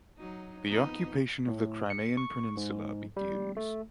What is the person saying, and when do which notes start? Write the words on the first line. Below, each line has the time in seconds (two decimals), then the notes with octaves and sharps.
The occupation of the Crimean peninsula begins.
0.18 F#3 D#4
0.66 F2 B3 D#4
1.48 A2
1.90 C#7
2.17 C#6
2.57 G#2
3.17 G3
3.57 A3